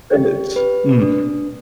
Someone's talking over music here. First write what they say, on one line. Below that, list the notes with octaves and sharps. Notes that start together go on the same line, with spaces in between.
And it's mm.
G4
B4
D4